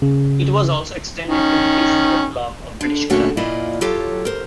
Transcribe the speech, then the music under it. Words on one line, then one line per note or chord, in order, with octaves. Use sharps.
It was also extended to the Peace River Block of British Columbia.
C#3
D#3 C#4
D3
F#2 A#2 D3 A3 C#4 F#4
A#2 E4 F4 D5 D#5
F#3 F4 G4 A4 C#5
A#4 C5